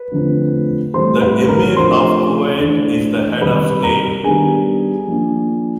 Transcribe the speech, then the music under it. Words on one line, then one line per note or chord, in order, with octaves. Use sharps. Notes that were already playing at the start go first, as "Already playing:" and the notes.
The Emir of Kuwait is the head of state.
Already playing: B4
D3 F3 A3 C4
A2 E3 G3 C4 C5 C6
B4 B5
A#4 A#5
C3 F3 A3 D4 C5 C6
E3 A3 D4
C3 D#3 G3 B4 B5
A#4 A#5
D#3 G3 B3 D4 G#4 G#5
F3 A#3 D4